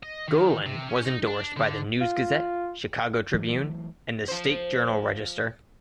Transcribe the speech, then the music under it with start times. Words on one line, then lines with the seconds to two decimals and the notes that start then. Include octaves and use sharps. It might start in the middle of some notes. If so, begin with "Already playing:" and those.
Gollin was endorsed by the "News-Gazette", "Chicago Tribune", and the "State Journal-Register".
0.03 D#5
0.28 D#3
0.66 C3
0.89 C#4
1.05 D#4
1.27 D4
1.57 D3
2.01 F4
3.34 E3 F#3 A3
4.28 F3 C5